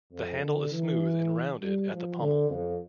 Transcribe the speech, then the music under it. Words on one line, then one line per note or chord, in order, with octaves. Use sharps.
The handle is smooth and rounded at the pommel.
F2
D3
E3
G3
F3
D3
F2